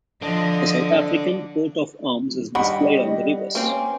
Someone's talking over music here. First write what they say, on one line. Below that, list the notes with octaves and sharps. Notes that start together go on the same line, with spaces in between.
The South African coat of arms is displayed on the reverse.
D3 F3 D4 D#5
D#3 G3 D4 D#5 F#5 B5
A#3 C4 C#4 B4